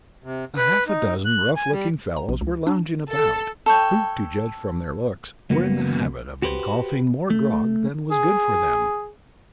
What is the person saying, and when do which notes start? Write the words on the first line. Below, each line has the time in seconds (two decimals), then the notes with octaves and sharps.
A half a dozen rough-looking fellows were lounging about, who, to judge from their looks, were in the habit of ingulfing more grog than was good for them.
0.24 C3
0.57 B4
0.87 D#4
1.25 F#6
1.56 G#5
1.71 G3
2.17 A#5
2.29 A#1
2.41 C#2
2.67 D4
3.11 A4
3.66 A4 C#5 G5
5.50 C#2 F#2 A#3 B3 F#4
6.42 F#4 G4 B4 C5
7.30 A3
8.11 G#4